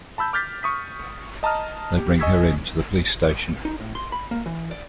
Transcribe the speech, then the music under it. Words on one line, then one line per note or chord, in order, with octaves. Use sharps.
They bring her in to the police station.
A5 B5 E6 G6
D6 F6 G6 A6 B6
C#6 D#6 B6
D#5 A5 A#5 D#6 F6
G4
D#5 G#5 C#6 E6 G#6 B6
D#4
A2
C6
B5
A#3
E3
D5